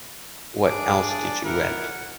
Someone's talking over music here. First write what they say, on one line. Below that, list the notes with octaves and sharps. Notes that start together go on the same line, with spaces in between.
What else did you rent?
D4 G#4 D6
D5
E4 A#4 F#5